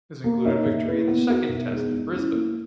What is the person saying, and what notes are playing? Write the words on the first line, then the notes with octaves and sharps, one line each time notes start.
This included victory in the Second Test in Brisbane.
A#3
D#4 A#4 C#5 E5
A#2
A#3 E4 B4
B3
D#4 F#4 A#4 E5
B2
G#3 B3 D#4 G#4
G#3
C#4 E4
A#3